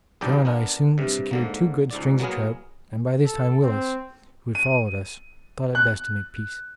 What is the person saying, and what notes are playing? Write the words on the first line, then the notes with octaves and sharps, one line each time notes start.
John and I soon secured two good strings of trout; and by this time Willis, who had followed us, thought it best to make peace.
B1 E2 G2 D5 G5 A#5
B3 D4 A#4
G2 C3
G#2 D3 A#3
C#2 G#2 D5
F#3 A#3 B3 G#4 A#4
A4
C4
D#7
F#6